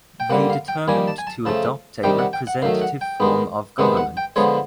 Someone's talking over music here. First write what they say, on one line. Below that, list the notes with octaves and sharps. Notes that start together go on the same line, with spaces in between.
They determined to adopt a representative form of government.
G5
D3 G3 A#3 F#5
F5
G5
D#3 G3 A#3 G#5
A5
G#5
A5
C#3 F3 A3 A5
C3 D#3 G3 G5
F#5
G5
F#5
D#3 F#3 A3 F5
F#5
G5
D#3 G#3 B3
C3 D#3 G#3 B3 F#5
F#5
G5
D3 F3 G#3 B3 C#5